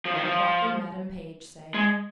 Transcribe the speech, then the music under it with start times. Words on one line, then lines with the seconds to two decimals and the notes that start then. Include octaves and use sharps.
What would Madam Page say?
0.05 F3
0.15 D#3
0.25 F3
1.74 G#3